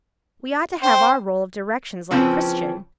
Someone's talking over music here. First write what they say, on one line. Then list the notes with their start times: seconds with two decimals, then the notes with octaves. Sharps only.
We ought to have our roll of directions, like Christian.
0.82 C5 G5
2.11 C#3 E3 F3 C4 C#4